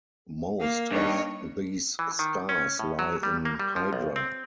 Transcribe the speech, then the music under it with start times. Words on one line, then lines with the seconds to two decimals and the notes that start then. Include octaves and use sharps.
Most of these stars lie in Hydra.
0.60 A#3 F5
0.91 G2 D#4 C#5
1.99 E3
2.19 D#3
2.49 C#4
2.79 A2
2.99 F#3
3.23 G3
3.45 A#3
3.60 G3
3.76 F3
3.93 B1
4.16 C4